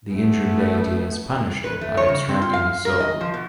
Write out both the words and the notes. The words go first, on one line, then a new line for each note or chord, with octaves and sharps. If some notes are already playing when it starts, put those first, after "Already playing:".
The injured deity has punished him by abstracting his soul.
A3 B3
B4
A3
C#5
C#3
C4
F4
F5
A#4
D#5
F3
B2